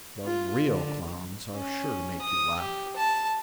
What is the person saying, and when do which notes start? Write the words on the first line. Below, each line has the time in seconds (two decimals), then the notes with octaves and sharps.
The real Clowns are sure to make you laugh.
0.25 F4
0.66 D3
1.54 C#4
2.21 D#6
2.60 G4
2.96 A5